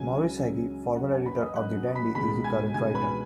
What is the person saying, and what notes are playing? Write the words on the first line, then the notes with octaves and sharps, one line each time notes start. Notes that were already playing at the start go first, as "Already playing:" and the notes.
Morris Heggie, former editor of "The Dandy" is the current writer.
Already playing: C#2 C#3 F#3 G#5
C#2 C#3 F#3
F#2 F#3 F#5
G#5
B4 B5
D#5 D#6
F#2 F#3 F#5 F#6
B5 B6
C#2 B2 G#3 B5 B6
G#5 G#6
C#2 B2 G#3 G#5 G#6
B4 B5